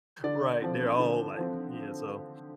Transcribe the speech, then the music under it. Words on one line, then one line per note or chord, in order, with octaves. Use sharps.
Right, they're all like Yeah, so
D3 D5
F3 C4
D3
F3 C4